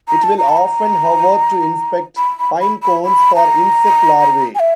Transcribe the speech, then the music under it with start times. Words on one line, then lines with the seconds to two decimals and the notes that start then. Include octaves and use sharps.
It will often hover to inspect pine cones for insect larvae.
0.08 A#5
0.23 A5
0.38 A#5
0.48 A5
0.57 A#5
2.17 B5
2.40 B5
2.61 B5
2.83 B5
3.05 B5
3.36 A#5
4.55 G#5
4.60 E5